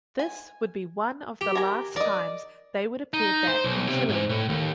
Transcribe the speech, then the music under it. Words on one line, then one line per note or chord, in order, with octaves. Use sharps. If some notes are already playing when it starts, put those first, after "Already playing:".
This would be one of the last times they would appear back in Chile.
G#5
G4
A#4 G#5 A#5
A#4 D5 D#5
D#4
C5
B1
C3
G#2
A2
D#2